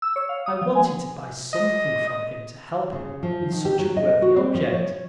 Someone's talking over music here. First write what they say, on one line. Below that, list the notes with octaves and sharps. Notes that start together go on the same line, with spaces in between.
I wanted to buy something from him to help him in such a worthy object.
E6
C#5
F5
D#6
F3
G#5
D#5
C#3
F3
D#3
G4
F#3
D#5
F#4
C4
F3
C#5